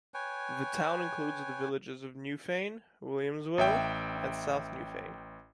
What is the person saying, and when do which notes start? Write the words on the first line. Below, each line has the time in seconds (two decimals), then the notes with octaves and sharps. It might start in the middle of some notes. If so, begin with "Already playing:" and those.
The town includes the villages of Newfane, Williamsville and South Newfane.
0.14 B4 C#5 G5 G#5
3.58 A1 E5 G5